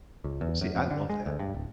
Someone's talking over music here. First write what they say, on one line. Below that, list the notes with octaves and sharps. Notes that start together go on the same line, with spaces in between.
See, I love that.
C#2
E2
F#2
F2
D3
G#3
D2
G2
D1